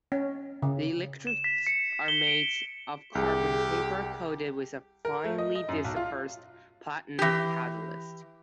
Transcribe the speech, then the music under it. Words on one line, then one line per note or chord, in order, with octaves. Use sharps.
The electrodes are made of carbon paper coated with a finely dispersed platinum catalyst.
C#4
C#3
E7
B6
C#7
G7
D7
C2 G4 G#4
A#4
A3
D#5
D#5
F#2
B1
F4
E3 G4